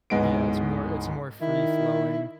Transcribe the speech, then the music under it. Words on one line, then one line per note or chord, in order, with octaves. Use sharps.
Yeah, it's more it's more free-flowing,
D1 G#2 G#3 B3 D7
D#3 E4